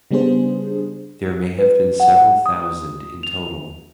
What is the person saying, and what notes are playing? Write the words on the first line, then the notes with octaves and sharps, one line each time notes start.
There may have been several thousand in total.
C#3 G3 B3 D4 G#4 C5
B4
F#5
D#6
F7